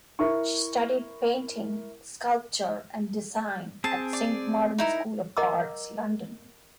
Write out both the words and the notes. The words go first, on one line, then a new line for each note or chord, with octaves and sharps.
She studied painting, sculpture and design at Saint Martin School of Arts, London.
E4 A#4 E5 C#6
C4 G#4 A5
D5
D#4 E4 A#4
A#4 D#5 F#5 A#5 D6 E6